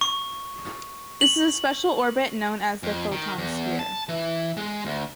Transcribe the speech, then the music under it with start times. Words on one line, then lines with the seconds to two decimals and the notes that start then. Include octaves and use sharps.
This is a special orbit known as the photon sphere.
0.01 C#6
1.21 F#7
2.83 F2
3.12 D#3
3.38 E2
3.79 A5
4.09 E3
4.57 G#3
4.85 D2